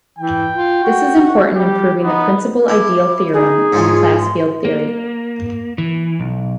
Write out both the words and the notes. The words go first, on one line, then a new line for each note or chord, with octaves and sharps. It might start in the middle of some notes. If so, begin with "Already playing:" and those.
This is important in proving the principal ideal theorem in class field theory.
E3 G5
F4
F#4
G3 G4
B3 D#4
E4 D6
D#4 G#4
G#2 F3 C#4
F4
C6
A#3
E3
B1